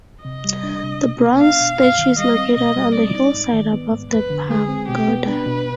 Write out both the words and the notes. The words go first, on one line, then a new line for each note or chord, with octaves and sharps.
The bronze statue is located on the hillside above the pagoda.
C3 D#5
G3
D4
C3
B2
B3
D4 F5
B2
G2 F5
D#3
G3 D#5
C4
B2 D#5
G3
C4 D5
D#4
G#2
D#3
B3
G#2
F2 B4
D3
G#3 G#4
C4
B2 G4
B3
D4 B4
B2